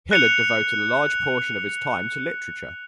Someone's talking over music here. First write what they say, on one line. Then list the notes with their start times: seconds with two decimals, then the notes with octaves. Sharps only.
Hillard devoted a large portion of his time to literature.
0.11 F#6 C#7 F7